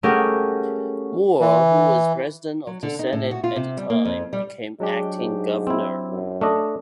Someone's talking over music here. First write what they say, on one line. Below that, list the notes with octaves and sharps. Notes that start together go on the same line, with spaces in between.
Moore, who was president of the Senate at the time, became acting governor.
A3 C#4 G4 G#4 A#4 F#5
E3
F#3
D3
D#4
A2
F#4
F4
C3
G3
A#3
F2
G3
F#3 G#3 D4 G4
G#2
C4 E4
F#2
A3 D4 D#5